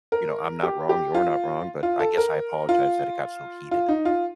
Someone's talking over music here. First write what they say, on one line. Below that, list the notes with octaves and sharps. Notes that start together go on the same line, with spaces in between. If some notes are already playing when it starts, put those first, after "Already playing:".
you know, "I'm not wrong, you're not wrong, but I guess I apologize that it got so heated."
A#4
G4
G4
F4
F4
A4
A#4
F4
F4
D#4
F4